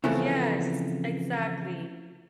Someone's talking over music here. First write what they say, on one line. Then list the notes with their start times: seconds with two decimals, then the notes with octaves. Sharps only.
Yes, exactly.
0.04 C#3 E3 F3 A3 B3 C4